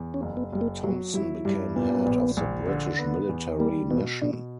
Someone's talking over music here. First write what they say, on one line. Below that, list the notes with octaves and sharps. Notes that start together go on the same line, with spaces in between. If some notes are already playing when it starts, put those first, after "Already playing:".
Thompson became head of the British Military Mission.
Already playing: E2
C#4
F#1
B3
F#1 G3
A#3
F#3 G3
G3 E4
G2 G3
A#2 B3
A#1
A#1
D3
B3
E2
G3 A#3
B2 B3
B2 D4